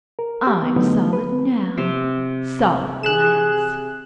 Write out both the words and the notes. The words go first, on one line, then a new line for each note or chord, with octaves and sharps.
"I'm solid now; solid glass."
A#4
G4
B3
D3 F#3 A3 B3 D#4
B4
C3 C5
G#4 F#6 E7